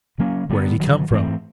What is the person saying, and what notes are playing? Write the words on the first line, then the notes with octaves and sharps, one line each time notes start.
Where had he come from?
C#3 F#3 A#3 C#4
D3 G3 B3
G2 D#3 F#3
G#2 E3 A3 C4